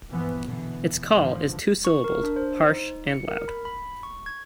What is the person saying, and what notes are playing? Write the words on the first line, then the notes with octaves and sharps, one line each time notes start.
Its call is two-syllabled, harsh and loud.
A#1 G2 E3 F3 B3
B2 D3 E3 B3
G#2 D3 E3 F3
C#6
A#4
D4
C5
C5
D#4
C#7
A#4
B5
B5
C#6
G#6